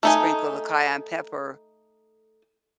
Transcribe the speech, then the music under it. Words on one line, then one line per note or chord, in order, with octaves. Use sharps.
You sprinkle the cayenne pepper
A3 D#4 G#5